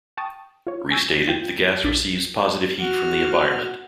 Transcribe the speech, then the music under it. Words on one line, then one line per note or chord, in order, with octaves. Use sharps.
Restated, the gas receives positive heat from the environment.
G5 A5 C#6 D#6
F4 C#5
G#5 C#6 E6 G6 G#6 A#6
F4 G5 G6
A#1 D4 A6 B6
F#4 F6